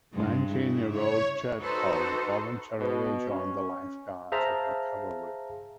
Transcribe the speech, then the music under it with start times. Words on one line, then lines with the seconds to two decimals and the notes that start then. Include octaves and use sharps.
Nineteen-year-old Chertkov voluntarily joined the Life Guards of the Cavalry.
0.13 G2 C3 G#3
0.50 C#3 E4
0.89 C#5
1.58 D#4 F#4 A4 B4 C5
2.79 B2
3.30 C#4
4.32 G#4 C5 E5 F5 A5 A#5